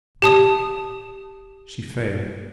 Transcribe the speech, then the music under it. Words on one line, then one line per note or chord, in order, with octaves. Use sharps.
But she failed.
G4 A5 D#6